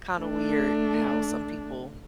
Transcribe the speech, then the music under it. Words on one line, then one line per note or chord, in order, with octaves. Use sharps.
kinda weird how some people
A3 D4